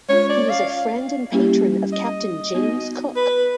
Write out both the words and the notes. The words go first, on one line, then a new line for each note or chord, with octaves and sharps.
He was a friend and patron of Captain James Cook.
G#3 C#4 F4 C#5
D5
F5
G3 A#3 C#4 E4 G4
D#5
B3 D#4 F#4
B4